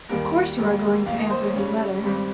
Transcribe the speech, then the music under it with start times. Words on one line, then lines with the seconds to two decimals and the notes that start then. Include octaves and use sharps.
Of course you are going to answer his letter.
0.09 D#2 D#3 G3 A#3 A#4
0.58 F1 F2 D#3 G3 A#3
1.06 F2 D#3 A#3 F5
1.18 D#5
1.30 C5
1.43 C#5
1.54 F2 C#3 G3 C#4
2.03 G#1 G2 G3 C4